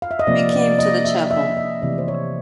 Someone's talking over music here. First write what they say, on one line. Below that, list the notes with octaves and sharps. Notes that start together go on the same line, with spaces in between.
We came to the chapel.
F5
E5
D#5
C3 F3 A#3 D5
D5
D#5
E5
E5
D#5
C3 E3 A3 D5
C5
C#5